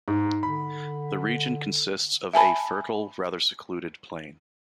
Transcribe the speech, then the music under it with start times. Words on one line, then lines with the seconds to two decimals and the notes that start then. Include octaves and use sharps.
The region consists of a fertile, rather secluded, plain.
0.08 G#2 D#4
0.43 D3 B5
2.34 E5 G#5 A5 B5